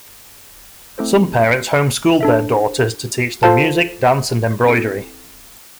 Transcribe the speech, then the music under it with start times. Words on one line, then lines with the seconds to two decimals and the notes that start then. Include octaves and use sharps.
Some parents home schooled their daughters to teach them music, dance and embroidery.
0.98 A3 C4 E4 A4 C5
2.21 D4 A4 E5
3.43 F4 A4 C5 F5 A5
4.65 C4 E4 A4